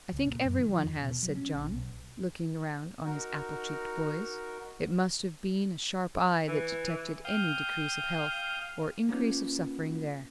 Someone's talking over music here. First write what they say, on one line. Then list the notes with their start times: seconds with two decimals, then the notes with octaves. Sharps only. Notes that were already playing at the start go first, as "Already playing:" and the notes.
"I think every one has," said John, looking round on his apple-cheeked boys; it must have been a sharp eye that detected any decrease of health, or increase of suffering, there.
0.13 C#2
0.27 A#2
0.45 F#2
0.59 D#3
0.71 F3
0.84 E2
1.01 B2
1.23 F#3
1.35 C#4
1.54 A#1
1.72 B1
3.05 D#4 F#4 A#4
6.48 E3
7.25 F5 G5 D#6 G6
9.09 A#3 B3 C#4 D#4 F4